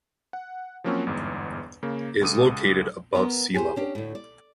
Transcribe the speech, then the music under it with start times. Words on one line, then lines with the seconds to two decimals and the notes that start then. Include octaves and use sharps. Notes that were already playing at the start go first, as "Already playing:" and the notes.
It is located above sea level.
0.33 F#5
0.84 F3 F#3 A#3 C4 C#4 F#4
1.07 G1 E2 G#2
1.83 C#3 A#3
2.21 C#2 A4 D6 D#6 D#7
3.15 B3 A#4 D#5
3.54 G4 G#4 B4 C5
3.76 C#4 D4 G4
3.95 D2 A2
4.15 D5